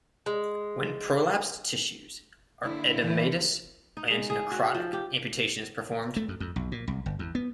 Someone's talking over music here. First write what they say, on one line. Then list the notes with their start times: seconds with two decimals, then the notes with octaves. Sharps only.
When prolapsed tissues are edematous and necrotic, amputation is performed.
0.26 G#3
2.62 D3 A#3 E4
3.01 E3
3.97 D#4
4.11 G#3
4.30 G#4
4.51 F#4
4.74 F3
4.93 G4
6.16 A3
6.28 F#2
6.40 F2
6.56 B1
6.72 A#2
6.88 C2
7.06 G1
7.19 E2
7.35 B3